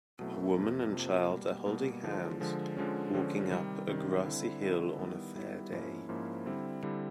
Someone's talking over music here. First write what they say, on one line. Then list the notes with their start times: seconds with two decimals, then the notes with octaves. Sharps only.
A woman and child are holding hands walking up a grassy hill on a fair day.
0.19 B2 F#3 A3 C4 E4
0.56 F2 C3 F3 A#3
0.93 F2 C3 F3 A#3
1.30 B2 G3 A#3
1.66 B2 G3 A#3
2.03 D3 F3 G#3
2.40 D3 F3 G#3
2.77 D3 F3 G#3 C#4
3.14 D3 F3 G#3 C#4
3.51 C3 D#3 G3
3.88 C3 D#3 G3
4.25 D3 G3 C4 E4
4.62 D3 G3 C4 E4
4.99 D#3 G3 B3 E4
5.35 D#3 G3 B3 E4
5.72 G#2 F3 A#3 C#4 E4
6.09 G#2 F3 A#3 C#4 E4
6.45 D3 G3 C4 E4
6.83 D3 G3 C4 E4